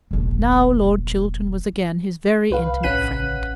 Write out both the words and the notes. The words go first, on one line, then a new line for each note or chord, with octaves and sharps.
Now Lord Chiltern was again his very intimate friend.
E1 A#1
C2 B4 F5
A1 C#4 F#5 F#6 B6 D#7